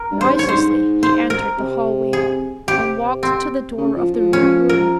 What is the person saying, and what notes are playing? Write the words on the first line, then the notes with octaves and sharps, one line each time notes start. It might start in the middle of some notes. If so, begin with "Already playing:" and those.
Noiselessly he entered the hallway and walked to the door of the rear room.
Already playing: A#4
G2
C5
G#2
G2 C#5
G#2 C5
C5
A#4
C3
G#4
C3 G4
C4
C#3
F3
F3
C#4
A#4